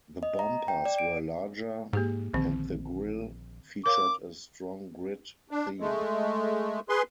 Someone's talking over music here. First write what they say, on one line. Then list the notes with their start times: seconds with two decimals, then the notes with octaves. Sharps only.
The bumpers were larger, and the grille featured a strong grid theme.
0.23 D#5
0.39 A#5
0.68 G5
0.85 D5
0.98 D7
1.93 G#2 A#3 G4 G#4
2.34 A#1 D3 D#3 C4
3.86 A#4 C#5 F5 D6
5.51 D4
5.80 G#3 A3
6.89 G#4 B4 C6